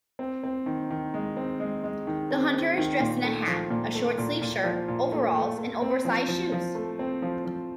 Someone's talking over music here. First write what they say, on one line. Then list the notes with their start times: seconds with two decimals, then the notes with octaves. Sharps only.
The hunter is dressed in a hat, a short-sleeved shirt, overalls and oversized shoes.
0.19 C4
0.43 C4
0.66 D#3
0.90 D#3
1.14 G#3
1.37 C4
1.60 G#3
1.84 G#3
2.07 D#3
2.31 C4
2.54 C4
2.78 D#3
3.00 A#2
3.24 A3
3.47 F3
3.70 A#2
3.94 A3
4.18 A#2
4.42 A#2
4.64 F3
4.88 A#2
5.12 A3
5.34 A3
5.58 A3
5.82 C4
6.05 F3
6.28 F3
6.52 F3
6.75 A3
6.99 C4
7.22 F3
7.45 F3